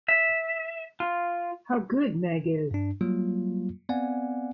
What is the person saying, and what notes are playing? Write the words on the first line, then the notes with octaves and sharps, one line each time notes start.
How good Meg is!
E5
F4
G2 D4
F#3 G3 A#3 F4
B3 C4 D5 F5 F#5 G#5